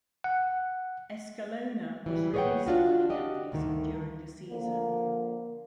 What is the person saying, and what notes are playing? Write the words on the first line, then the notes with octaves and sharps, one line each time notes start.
Escalona was released by the Yankees during the season.
F#5
E3 G3
G#4 B4 C#5 D5 F#5 G5
D4 F4 F#4
F#4 G4 D#5
D2 G2 D3 D#3
D3 F3 A#3